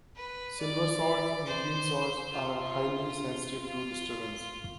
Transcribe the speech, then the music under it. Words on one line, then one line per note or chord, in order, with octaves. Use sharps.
Silverswords and greenswords are highly sensitive to disturbance.
B4
D5
C5
F4
F4